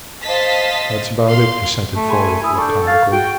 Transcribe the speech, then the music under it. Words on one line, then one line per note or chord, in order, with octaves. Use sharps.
"That's about it," assented Folliot laconically.
C5 D#5 F5 A5 A6 B6
F5 C6
A3
G#4 G#5 B5 C6
E4 B5 D#6 E6
D4 A4 C#6 G6
F5 C#6 A6
F#4 G#4 G5